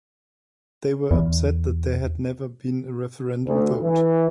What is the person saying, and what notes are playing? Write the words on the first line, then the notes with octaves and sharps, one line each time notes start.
They were upset that there had never been a referendum vote.
E2
D2
E3